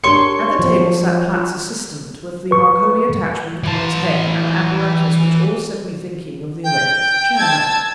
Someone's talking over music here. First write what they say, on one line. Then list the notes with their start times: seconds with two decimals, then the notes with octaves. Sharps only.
At the table sat Platts' assistant with the Marconi attachment upon his head--an apparatus which always set me thinking of the electric chair.
0.04 D4 G4 A#4 C#5 C6 C#6
0.59 F3
2.51 B4 C#6
3.63 E3 A5
6.64 G5
7.37 A5 E6 G#6